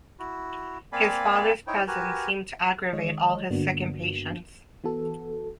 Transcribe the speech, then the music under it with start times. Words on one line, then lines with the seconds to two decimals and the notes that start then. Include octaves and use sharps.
His father’s presence seemed to aggravate all his sick impatience.
0.19 E4 F#4
0.92 A#3 C4 D5 F5 G#5 B5
1.67 D#4 E4 C5 C#5 G5
1.88 F#4 G4 A#4 B4 G#5
2.93 D#3 G#3 C#5 D#5
3.50 G2 D3 A#3 B3 D4 F#4
4.84 E3 B3 F#4 A4